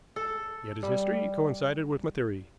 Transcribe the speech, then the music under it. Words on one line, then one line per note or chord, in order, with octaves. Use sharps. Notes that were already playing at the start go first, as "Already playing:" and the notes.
Yet his history coincided with my theory.
A4
G3